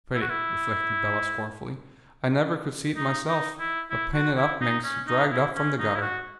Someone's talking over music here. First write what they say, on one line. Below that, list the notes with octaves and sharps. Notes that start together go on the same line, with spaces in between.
Pretty!" reflected Bella scornfully, "I never could see it myself; a painted up minx, dragged up from the gutter.
E4
F#4
E4
D#4
D#4
E4
E4
F#4
E4
D#4
C#4
D#4
E4
C#4
D#4
E4
F#4